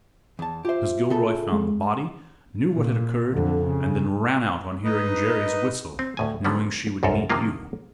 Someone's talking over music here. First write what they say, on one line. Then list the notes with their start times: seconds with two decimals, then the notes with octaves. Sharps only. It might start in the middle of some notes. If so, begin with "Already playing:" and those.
Mrs. Gilroy found the body, knew what had occurred, and then ran out on hearing Jerry's whistle knowing she would meet you.
0.39 E2 A5
0.65 F4 G4 C5 E5
1.10 C#3 A4
1.52 G#3
2.73 A#2
3.33 F2 D3
3.65 C#3
4.84 D#4 B4 D#5
5.99 C4
6.17 D2 A2 G#5
6.45 D3 F#3 G3 B3 C#4
7.03 C2 F#2 F4 A4 A#4
7.30 C3 D#3 F3 A#3 F4